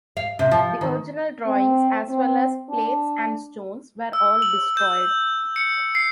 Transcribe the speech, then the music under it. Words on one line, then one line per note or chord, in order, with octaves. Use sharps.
The original drawings, as well as plates and stones, were all destroyed.
F5
C3
F3
D#3
C4
C4
D4
E6
F#7
G6
C#7
C7